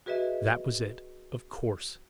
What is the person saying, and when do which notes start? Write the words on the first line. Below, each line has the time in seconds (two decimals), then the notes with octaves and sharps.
That was it, of course.
0.06 F#4 G#4 B4 D#5 E5